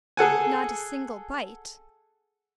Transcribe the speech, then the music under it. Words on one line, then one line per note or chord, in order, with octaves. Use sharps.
Not a single bite.
G#4 A4 F#5 G#5